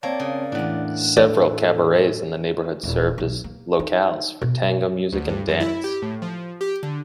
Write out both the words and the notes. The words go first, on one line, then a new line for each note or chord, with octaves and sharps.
Several cabarets in the neighborhood served as locales for tango music and dance.
A#3 C4 C#5 D5 A5
C#3
E2 A2 D4 F#6
A4 D5
D#1
B1
A#3
D#4
B2
D2
G2
F#2
E4
G4
A2
F3
G4
D3